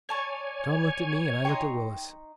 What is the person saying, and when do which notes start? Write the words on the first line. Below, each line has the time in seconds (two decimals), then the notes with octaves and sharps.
John looked at me, and I looked at Willis.
0.09 C#5 D5 G#5 A5 C#6
1.45 D#4 G5 C6 C#6